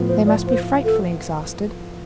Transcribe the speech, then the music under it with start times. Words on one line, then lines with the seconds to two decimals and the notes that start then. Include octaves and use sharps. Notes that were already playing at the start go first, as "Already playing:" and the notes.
They must be frightfully exhausted.
Already playing: A2 F3 B3 F4
0.08 C5
0.27 D5
0.47 C5
0.85 A4